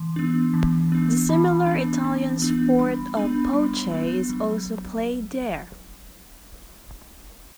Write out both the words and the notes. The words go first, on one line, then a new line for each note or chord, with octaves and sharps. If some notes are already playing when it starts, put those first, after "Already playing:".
The similar Italian sport of bocce is also played there.
Already playing: E3 C6
B3 D4
E3
B3 D4
E3 B5
B3 D4
E3
B3 D4
G3 B5
B3 D4 B5
G3
B3 D4
F#3